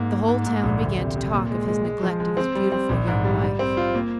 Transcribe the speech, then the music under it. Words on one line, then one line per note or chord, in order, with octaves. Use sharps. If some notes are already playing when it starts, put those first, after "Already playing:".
The whole town began to talk of his neglect of his beautiful young wife.
Already playing: G#2 A#3
A#3
G#2
G#2
A#1
D2
C3
C3
A#2
G#3
G#3
G#3
F3
G#3
C4
G3
C4
A#1
G#2
G3
G3
C4
F4
A#3